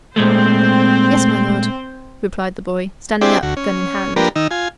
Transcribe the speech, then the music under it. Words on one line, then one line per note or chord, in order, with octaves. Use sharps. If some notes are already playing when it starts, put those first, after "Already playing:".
"Yes, my Lord," replied the boy, standing up, gun in hand.
A#2 G#3 A3 C4 C5
C4 D4 E4 G4 G#4 D5
D2 F#4
C#4
F3 A#3 D4 G4 A#4 B4
D#3 D#4 E6
F4 G#5